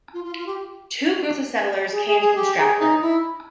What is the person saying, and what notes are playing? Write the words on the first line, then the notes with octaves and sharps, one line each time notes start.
Two groups of settlers came from Stratford.
F4
F4
F4
G4
G#4
G#4
G#4
G4
G#4
D#4
E4